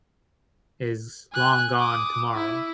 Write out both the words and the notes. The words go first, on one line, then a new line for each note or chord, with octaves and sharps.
is long gone tomorrow.
G#5 F#6
D6 D#6
E4